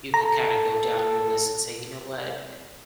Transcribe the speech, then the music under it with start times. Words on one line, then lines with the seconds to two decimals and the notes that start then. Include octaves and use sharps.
you could kinda go down your list and say, "You know what?"
0.14 A4 A#5